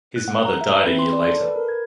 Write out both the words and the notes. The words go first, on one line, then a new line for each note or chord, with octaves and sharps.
His mother died a year later.
F#6
F#5
A#5
E5
B4
C4
C6
D5
A4
B4
A#4
G#6